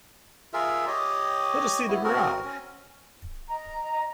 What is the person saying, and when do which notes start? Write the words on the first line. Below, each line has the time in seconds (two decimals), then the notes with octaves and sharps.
Let us see the garage!
0.53 F4 G#4 A#4 E5
0.87 G4 C#5 D#5
1.88 B3 E4
2.04 C4 F#4 A#4
2.44 C#4
3.49 D#5 A#5